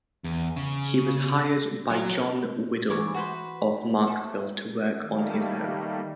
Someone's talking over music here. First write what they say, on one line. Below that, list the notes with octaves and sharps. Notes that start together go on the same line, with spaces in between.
He was hired by John Waddill of Marksville to work on his home.
E2
C#3
F#3
E3 C#5 D6
F#4 B4 C5
A3
D#3 G3 A3 A#3